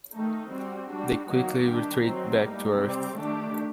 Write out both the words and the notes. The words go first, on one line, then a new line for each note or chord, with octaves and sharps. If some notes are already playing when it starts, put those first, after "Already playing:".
They quickly retreat back to Earth.
D#3 A3 D#4
G3 C4 F#4
G3 D4 F#4
D#3 F#3 A#3 D#4 F#4
D#3 G3 D4 G4
D#3 F#3 C4 D#4
A2 G3 A#3 D#4
C3 G3 C4
D#3 A3 D4 G4